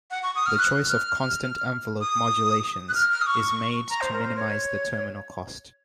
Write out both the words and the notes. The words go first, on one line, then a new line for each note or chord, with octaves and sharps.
The choice of constant envelope modulations is made to minimize the terminal cost.
F#5
C#6
D#6
F6
F#6
F6
D#6
F#6
F6
F6
D#6
C#6
A#5
C5
A#4
C5
C#5